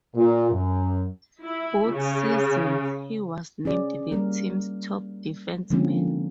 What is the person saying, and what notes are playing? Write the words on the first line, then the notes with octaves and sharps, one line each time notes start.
Both seasons he was named the team's top defenceman.
A#2
F#2
E4
C#3
C#4 G#4 D5
G3 A#3 A#4
D3 F3 G#3 A#3 C4 C#4